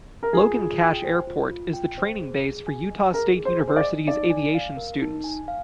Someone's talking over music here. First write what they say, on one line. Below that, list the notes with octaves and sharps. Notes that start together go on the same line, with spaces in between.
Logan-Cache Airport is the training base for Utah State University's aviation students.
A#4
F4 G#4
F4
G5
C5
F4
F4
G5
C5
G#4
G#4
G#5
D#5
G#4 A#4
G#4
C5
G#5
C5
D5
D#5
D#4 D5
G#5
F5
A#4
D#4
G#5
F5